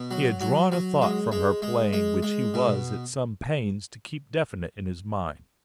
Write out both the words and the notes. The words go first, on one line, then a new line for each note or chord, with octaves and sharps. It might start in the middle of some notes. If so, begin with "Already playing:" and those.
He had drawn a thought from her playing which he was at some pains to keep definite in his mind.
Already playing: B2
F#3
F#3
F#3
G#3
G#3
G#3
G#3
G#3
B2